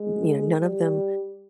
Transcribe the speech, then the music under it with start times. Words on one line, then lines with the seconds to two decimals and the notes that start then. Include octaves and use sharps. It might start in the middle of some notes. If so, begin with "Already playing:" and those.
you know, none of them
Already playing: G#3
0.58 G3